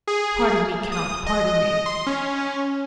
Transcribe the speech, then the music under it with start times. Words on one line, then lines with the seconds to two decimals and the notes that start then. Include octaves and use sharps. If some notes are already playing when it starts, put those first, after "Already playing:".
"Pardon me, count, pardon me."
0.07 G#4
0.92 D#6
1.26 D#5
1.86 C6
2.07 C#4